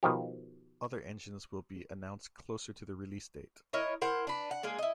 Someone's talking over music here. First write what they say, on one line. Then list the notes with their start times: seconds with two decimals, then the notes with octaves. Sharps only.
Other engines will be announced closer to the release date.
0.03 B2 D#3 F3 G4
3.73 E4 A#4 C#5 D#5
4.01 E4 A#4 C5 F#5
4.27 D4 B4
4.51 F#5
4.63 G#3 A#3 G#4
4.79 E4 D#5